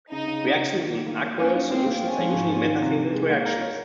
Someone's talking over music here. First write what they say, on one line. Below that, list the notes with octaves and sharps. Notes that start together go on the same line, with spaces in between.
Reactions in aqueous solutions are usually metathesis reactions.
C#3 D#4
C#3
C#3
C#3
D#3
D#3
A#3
A#3
A#3 C#4
D#4
A#3 C4
A#3
C#4 F4
F3
G#2
F4
D#3
C3
D#3
G#3
A#3
A#4
C#5